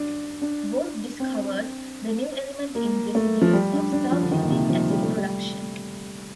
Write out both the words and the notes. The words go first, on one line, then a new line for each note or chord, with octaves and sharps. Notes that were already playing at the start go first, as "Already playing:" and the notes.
Both discovered the new element in residues of sulfuric acid production.
Already playing: D4
D4
C4
A#3
A3
F3
G3
D4
D4
F3
D3
D#3
A#2
C3
F3
G3
A3
G3